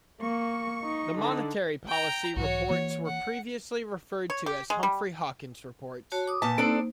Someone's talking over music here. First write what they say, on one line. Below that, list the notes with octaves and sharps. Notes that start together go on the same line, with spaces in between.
The Monetary Policy Reports were previously referred to as Humphrey-Hawkins reports.
A#3 C#6
D#4
D3
G5 A#5
B1 G#2 E3 F#4 C#5
E3 A#3 C#5
F#5
C#5
G4
G#3
G3
F#4 C#5 A5
D6 D#6
A#2 B4 A5
A#3 C4 D4 D#4 A4 C5